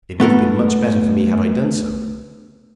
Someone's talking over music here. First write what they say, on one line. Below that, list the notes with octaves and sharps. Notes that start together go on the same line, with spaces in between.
It would have been much better for me had I done so.
A3 B3 A4 A#4